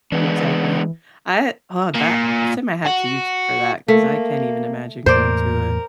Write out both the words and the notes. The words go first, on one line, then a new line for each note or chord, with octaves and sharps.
Exactly. I uh, oh, that. I send my hat to you t for that 'cause I can't even imagine going to a
E3 G#3 B3 D4
A#2
F#4
A3 A#3
E2 A2 A#3 A#4 C5 D5